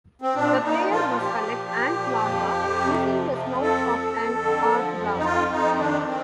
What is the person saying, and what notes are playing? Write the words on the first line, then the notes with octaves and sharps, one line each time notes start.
The player must collect ant larva using the snout of an aardvark.
C4
A#2 D4
A#2 D#4
F3 F4
F4
F3 G4
A#2
A#2
F3
F2
F2
C3
F3
F2
F3 A4
F2
F2
D3
F3
F2
D#4
F2 F4
F2 D#4
C4
D#3 D4
D#3 C4